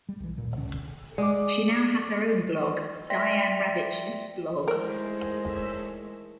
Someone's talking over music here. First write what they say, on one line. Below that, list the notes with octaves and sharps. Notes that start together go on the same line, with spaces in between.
She now has her own blog, Diane Ravitch's Blog.
G3
B1 E3
D1 A#2
C#2 B2 D3 C#4
G#3 D5 D6
D5 E5 G5 C6 A#6 B6
D#3 E3 G#3 A3 A#4 C5